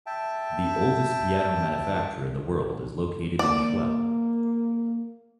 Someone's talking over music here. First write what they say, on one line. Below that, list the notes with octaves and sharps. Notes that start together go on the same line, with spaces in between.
The oldest piano manufacturer in the world is located in Schwelm.
E5 G5 A5
A#3 D5